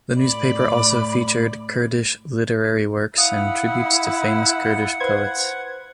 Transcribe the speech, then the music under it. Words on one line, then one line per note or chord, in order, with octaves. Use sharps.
The newspaper also featured Kurdish literary works and tributes to famous Kurdish poets.
A2 D5 B5
E4 F5 F#5 D#6
B4 C5 G#6